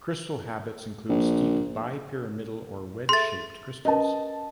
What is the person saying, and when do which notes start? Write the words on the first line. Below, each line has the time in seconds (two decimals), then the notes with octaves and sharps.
Crystal habits include steep bipyramidal or wedge-shaped crystals.
1.09 A#1
3.09 G#4 A4 E5 C6 A6
3.85 C#4 A#4 B4 D#5 A5